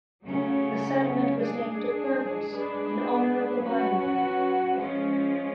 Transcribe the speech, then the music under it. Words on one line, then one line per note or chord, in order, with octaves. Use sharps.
The settlement was named Bergholz in honor of the mine owner.
C#3 F#3 A3 C#4
G#3 D4 G#4
G#3 D4 G#4 B4
F#3 C#4 F#4 B4
F3 G#3 C#4